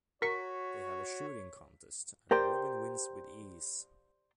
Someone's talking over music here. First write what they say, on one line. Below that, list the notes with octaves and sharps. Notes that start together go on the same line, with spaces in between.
They have a shooting contest, and Robin wins with ease.
F#4 A#4 C#5 C#6 B6
G4 A#4 C5 D5 G5